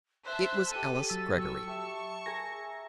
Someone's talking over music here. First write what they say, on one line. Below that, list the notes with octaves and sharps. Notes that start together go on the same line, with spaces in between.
It was Alice Greggory.
C5 E5 A5 F#6
G4 A4 G#5 A5 D#7
F#3 E6 A6 B6
F#3 C#6 E6
G4 E5 A5
G#4 A#4 G#5 A#6